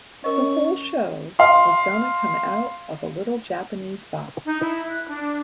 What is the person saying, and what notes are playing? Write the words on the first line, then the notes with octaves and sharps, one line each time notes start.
The whole show was gonna come out of a little Japanese box.
C#4 A#4 D#5 C#6
F5 C6
D#4
E4
F#6
D4